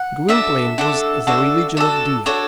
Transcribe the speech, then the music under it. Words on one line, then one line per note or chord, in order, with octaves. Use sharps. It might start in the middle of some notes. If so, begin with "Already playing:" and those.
Gwynplaine was the religion of Dea.
Already playing: F#5
D4 F#4 A4 E5
D4 F#4 A4
D4 F#4 A4
D4 F#4 A4
D4 F#4 A4 C#5